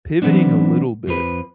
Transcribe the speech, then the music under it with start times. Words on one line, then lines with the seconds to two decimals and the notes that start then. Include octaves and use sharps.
pivoting a little bit,
0.22 E3 F#3 A3 B3 C4 D4
1.07 F2 F3 B4